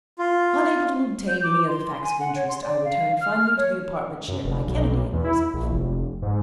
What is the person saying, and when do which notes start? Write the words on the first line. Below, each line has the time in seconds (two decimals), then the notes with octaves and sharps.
Unable to obtain any other facts of interest, I returned finally to the apartment shared by Kennedy and myself.
0.19 F4
1.28 G6
1.43 D6
1.67 C6
2.04 G#5
2.20 F#5
2.35 C#5
2.48 C6
2.62 D5
2.84 F5
3.21 F6
3.57 C#5
4.28 F#2
4.44 F1
4.67 B1
5.13 E2
5.24 E4
5.54 A#1
5.72 F1
6.22 G#2